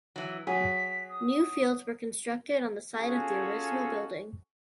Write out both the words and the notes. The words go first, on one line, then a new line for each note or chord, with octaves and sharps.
New fields were constructed on the site of the original building.
E3 F#3
F#3 G#4 B6
D#6
C#4 F4 F#4 G#4 A4